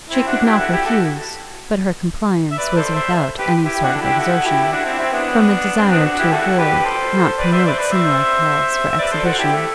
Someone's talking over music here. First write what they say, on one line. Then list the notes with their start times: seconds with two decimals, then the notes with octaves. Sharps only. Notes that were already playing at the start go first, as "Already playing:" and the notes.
She could not refuse, but her compliance was without any sort of exertion, from a desire to avoid, not promote similar calls for exhibition.
0.09 C4 E4
0.27 D4 F#4
0.46 E4 G4
0.59 F#4 A4
0.72 E4 G4
0.85 F#4 A4
2.52 E5
2.58 B4 D5
2.76 A4 C5
2.94 C5 E5
3.39 G4 B4
3.65 E4 G4
3.83 D4 F#4
3.95 A4
4.02 E4 G4
4.19 F#4 A4
4.45 E4 G4
4.63 E4
4.72 D4 F#4
4.85 C4 E4
4.98 C4 E4
5.12 B3 D4
5.78 C4
5.92 B3 D4
6.05 D4 F#4
6.19 E4 G4
6.32 F#4 A4
6.58 G4 B4
6.85 A4 C5
7.38 B4 D5
7.52 C5 E5
7.66 B4 D5
7.73 C5
7.79 B4 D5
7.92 C5 E5
8.90 E5
8.99 B4 D5
9.12 A4 C5
9.26 F#4 A4
9.38 E4 G4
9.53 A3